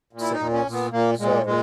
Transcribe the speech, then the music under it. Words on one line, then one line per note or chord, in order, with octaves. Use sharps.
save us. So,
A#2
E4
D#4
A#2
C#4
A#2
B3
A#2 A#3
A#2 G#3
A#2 G#3